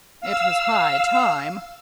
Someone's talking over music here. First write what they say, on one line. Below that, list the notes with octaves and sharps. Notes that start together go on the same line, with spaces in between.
It was high time.
F5 E6